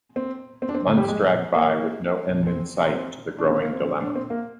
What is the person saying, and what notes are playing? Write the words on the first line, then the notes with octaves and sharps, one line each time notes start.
Months dragged by with no end in sight to the growing dilemma.
C4
C4
D4
C4
D3
G3
G#3
A#3
C4
C4
D4
C4
A#3
C4
C4
D4
C4
A#3